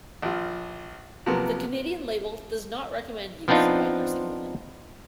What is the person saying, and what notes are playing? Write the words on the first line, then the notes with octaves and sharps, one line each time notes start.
The Canadian labeling does not recommend use by nursing women.
A#1 F4
C3 F3 F#3 A#3 B3
F3 B3 C4 D4 D#4 F4